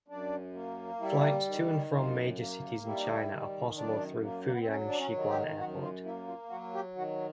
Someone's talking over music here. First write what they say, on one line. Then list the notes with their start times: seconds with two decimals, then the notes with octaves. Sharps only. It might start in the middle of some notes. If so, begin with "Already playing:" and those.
Flights to and from major cities in China are possible through Fuyang Xiguan Airport.
0.08 F#2 D4
0.54 A#3
0.99 G3 E4
1.46 D#3
1.92 F#2 F4
2.38 A#3
2.83 G3 E4
2.97 D#4
3.11 E4
3.30 D#3
3.75 F#2 D4
4.21 A#3
4.44 A#3
4.51 B3
4.60 C4
4.67 F#3 C#4
4.85 D4
4.97 C#4
5.13 D#3
5.28 G4
5.58 F#2 F#4
5.82 F4
6.04 A#3 E4
6.27 F4
6.50 F#3 F#4
6.74 G4
6.96 D#3 F#4